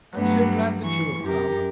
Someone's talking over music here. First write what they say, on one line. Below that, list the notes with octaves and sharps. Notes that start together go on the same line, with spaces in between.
'I am so glad that you have come.'
G2 F#3 A3 B3
E3 C#6
F#2 G4 A#4